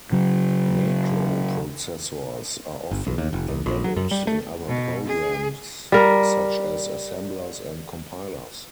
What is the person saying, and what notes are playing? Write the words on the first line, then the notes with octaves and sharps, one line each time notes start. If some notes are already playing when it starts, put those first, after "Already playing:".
Macro processors are often embedded in other programs, such as assemblers and compilers.
C#3 F#3
G1
B1
D#2
F1
C2
A#1
F#3
F#2
G3
A3
B2
G#4
G3 A#4